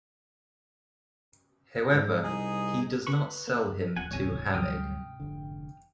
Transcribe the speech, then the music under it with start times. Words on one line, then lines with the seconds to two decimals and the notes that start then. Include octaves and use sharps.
However, he does not sell him to Hamegg.
1.93 G#2
2.24 C2 D#4 G#4
3.07 B4 B5 C#6
3.48 A#3
3.96 D#1 F#5 G#5
4.11 D1 B1 G#2 C3 D#3 C#5 G#5
4.54 D2 F#3 G3 G5 D#6 F6
5.20 F1 D3